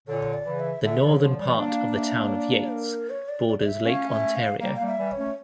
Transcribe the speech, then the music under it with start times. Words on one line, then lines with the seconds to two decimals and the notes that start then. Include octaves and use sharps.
The northern part of the Town of Yates borders Lake Ontario.
0.08 A#2 D3 C#5
0.34 D5
0.46 C#3 E3
0.59 E5
0.84 A#2 D3 E5
1.03 C#3 E3 D5
1.10 C#5
1.22 D3 F3
1.34 D5
1.40 E3 G3
1.54 E5
1.59 A#3 D4 F5
1.97 E5
2.27 C#5
2.35 D5
2.72 A#4
3.10 C#5
3.29 D5
3.48 D5
3.60 D5
3.66 E5
3.85 A3 C#4 F5
4.10 E5
4.36 F5
4.60 G3 A#3 F5
4.76 G3 A#3 F5
4.86 E5
4.98 E3 G3
5.12 C#5
5.18 A3 C#4